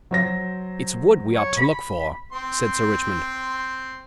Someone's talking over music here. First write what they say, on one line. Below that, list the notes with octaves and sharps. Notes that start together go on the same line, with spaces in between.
"It's wood we ought to look for," said Sir Richmond.
F#3 C5 A#6
C#5
B5
C4 C6